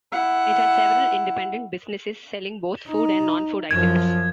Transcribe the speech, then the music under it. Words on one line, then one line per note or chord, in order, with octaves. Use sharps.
It has several independent businesses, selling both food and non-food items.
E4 F#5
D#4
F#2 F3 G#6